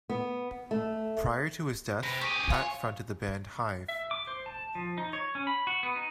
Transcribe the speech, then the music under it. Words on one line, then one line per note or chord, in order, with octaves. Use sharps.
Prior to his death, Pat fronted the band Hive.
B3
A3
C3 B4
G4 G#4 C#6 D6
F4 C#5 G#5
E5
D6
C5
A5
F3
D#4
C#5
C#4
B5
F#4
B3
D#4